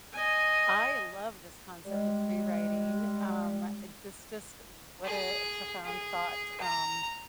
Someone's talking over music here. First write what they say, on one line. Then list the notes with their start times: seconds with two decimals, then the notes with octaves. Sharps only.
I love this concept of prewriting. Um, uh, this just what a profound thought, um,
0.14 D#5 G#5
1.85 G3 G#3
5.05 G#4
5.85 G#4
6.61 A#5